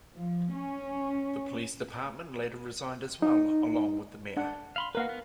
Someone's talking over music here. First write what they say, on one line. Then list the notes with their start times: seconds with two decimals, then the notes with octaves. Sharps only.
The police department later resigned as well along with the mayor.
0.16 F3
0.53 C#4
3.22 D#4
4.37 D4 F#5
4.76 F5 B5 C6
4.95 A#3 A#4 B4 F5 F#5
5.09 B3